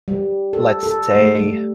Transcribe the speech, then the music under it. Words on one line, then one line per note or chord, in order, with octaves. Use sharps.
let's say,
G3
A4
A4
A3
G3